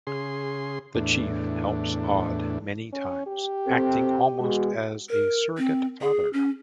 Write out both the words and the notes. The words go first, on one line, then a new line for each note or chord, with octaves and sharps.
The Chief helps Odd many times, acting almost as a surrogate father.
C#3 G#4 C6
E2 A2 D4
C#4
G4
C4 A4
B2 G#3 F#4
A#4
C4
G#4
C#4